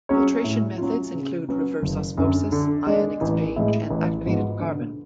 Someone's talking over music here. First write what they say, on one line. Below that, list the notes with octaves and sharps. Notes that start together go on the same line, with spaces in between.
Filtration methods include reverse osmosis, ion exchange and activated carbon.
F#3 C#4 G#4 C#5
A2
F#3 C#4 F4
C#3
F#3 C#4 F#4 B4
F#1
F#2 D3
D3
G#3 D4
A1
A2 G#3
A1
G#2 F3 B3 F#4
D3